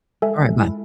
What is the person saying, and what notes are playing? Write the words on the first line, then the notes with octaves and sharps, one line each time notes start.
Alright, bye.
G#3 A4 E5 G#5
G#3
E4